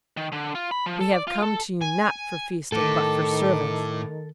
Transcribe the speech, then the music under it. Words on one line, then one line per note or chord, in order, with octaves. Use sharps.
We have come to you not for feasting but for service.
D#3
D3
F4
B5
F3
A4
D5
F4
A4
G#5
A2 D#3 A3 A4 D6